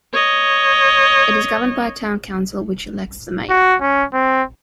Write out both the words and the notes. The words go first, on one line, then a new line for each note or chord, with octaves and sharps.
It is governed by a town council, which elects the mayor.
C#5 D#5
F#4
C#4
C4